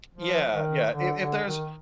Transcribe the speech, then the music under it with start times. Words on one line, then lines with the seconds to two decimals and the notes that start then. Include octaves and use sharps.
Yeah, yeah. If if there's
0.13 F3
0.53 D#3
0.93 D3
1.18 D3
1.45 D#3